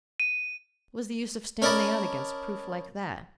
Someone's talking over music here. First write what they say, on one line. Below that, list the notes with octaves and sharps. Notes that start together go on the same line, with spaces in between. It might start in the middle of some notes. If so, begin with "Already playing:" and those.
What was the use of standing out against proof like that.
D#7
C#4 A#4 D5 D#5 A5 B5